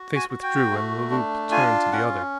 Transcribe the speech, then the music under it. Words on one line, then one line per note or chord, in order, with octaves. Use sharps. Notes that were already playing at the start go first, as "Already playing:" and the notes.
The face withdrew and Le Loup turned to the other.
Already playing: F#4
G#5
F#4
G5
A3
D4
F4 G#5
C#4 F#5